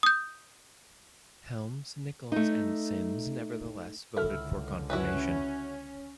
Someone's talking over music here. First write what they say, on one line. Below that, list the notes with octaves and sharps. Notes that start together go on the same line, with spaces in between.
Helms, Nickles, and Symms nevertheless voted for confirmation.
D#6 G6
A3 D#4
C#2 D3 E4 A4 E5 F6
C#4 E4 F#4 B4